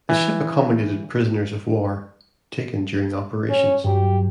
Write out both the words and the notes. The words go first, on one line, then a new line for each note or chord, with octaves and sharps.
The ship accommodated prisoners of war taken during operations.
E3
C#4
G2 F#3 G4